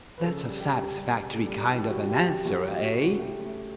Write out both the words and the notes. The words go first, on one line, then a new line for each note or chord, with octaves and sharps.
That's a satisfactory kind of an answer, eh?
B4
C#3 A4
G3
G4
G3
G3 G4
C#3
A4
G3
E3 G4
G4
F#4
G3
F#4
G4
F#2 F#4
G4
F#2 F#4
G4
F#2
F#4
C#3
F#4
F#4
A3 G4
A3